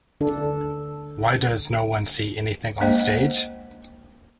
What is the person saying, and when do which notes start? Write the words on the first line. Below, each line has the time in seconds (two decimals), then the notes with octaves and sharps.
Why does no one see anything on stage?
0.21 D3 D4 A4
2.81 G#3 A#3 D4 C5 D#5 G5